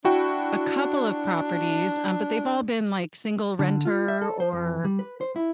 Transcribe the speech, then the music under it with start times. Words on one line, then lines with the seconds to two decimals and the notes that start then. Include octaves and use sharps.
a couple of properties, um, but they've all been, like, single-renter or,
0.05 D4 E4 F#4 G5
3.59 D3
3.85 F4
4.08 E5
4.21 A4
4.40 C5
4.53 F2
4.85 G3
4.99 B4
5.21 C5
5.36 E4